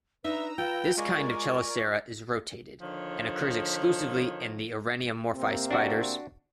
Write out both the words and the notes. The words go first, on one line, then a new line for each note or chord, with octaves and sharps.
This kind of chelicera is rotated and occurs exclusively in the Araneomorphae spiders.
D4 D#4 B4 E5 A#5 E6
F4 B4 F5 G5
G#3 A#4 D5 G#5 C#6
D3 D#3 F3 C#5
C3 A#3 C4
D4 F#4